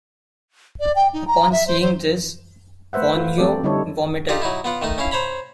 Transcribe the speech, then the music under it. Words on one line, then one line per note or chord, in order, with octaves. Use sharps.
Upon seeing this, Wonhyo vomited.
D5
G5
D#4
A#5
E5
C5
C5
A3 B4 C5 E5 F#5
F4
A3 C4 G4 A4 D5
D3 G3 D#4 E4 A4 C#5
D#4 F4 G4 D5 D#5
F#3 D#4 E4
B3 F4 F#5
D#3 A3 D#4
C#4 E4 F5
C5 C#5 A#5 B5